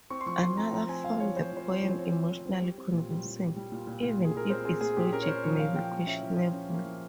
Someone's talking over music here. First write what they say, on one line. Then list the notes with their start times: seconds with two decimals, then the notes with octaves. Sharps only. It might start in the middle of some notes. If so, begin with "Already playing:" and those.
Another found the poem "emotionally convincing" even if its logic may be questionable.
0.10 C4 C#6
0.21 C6
0.26 F3 C#6
0.42 F3 C6
0.57 C4 A#5
0.73 F3 A#5
0.89 C4 G#5
1.04 F3 F5
1.20 F3 C#5
1.36 F3 C5
1.52 F3 C5
1.67 C4 C5
1.79 F3 C#5
1.90 C5
1.98 C4 C#5
2.14 C4
2.30 C4
2.46 C4
2.61 G3
2.78 C4
2.92 A#2
3.09 G3
3.24 G3
3.40 G3
3.56 G3
3.72 A#2
3.87 A#2
4.03 A#2
4.18 A#2
4.25 G#4
4.35 A#2 A#4
4.50 C4 C5
4.65 C4 G#4
4.81 A#2 G#4
4.97 A#2 G4
5.12 C#4 A#4
5.22 C#5
5.28 C#4 C5
5.44 F3 C#5
5.59 F3 F5
5.75 F3 G5
5.91 A#3
6.07 C#4 E5
6.23 F3
6.38 F3
6.53 C#4
6.70 A#3
6.86 F3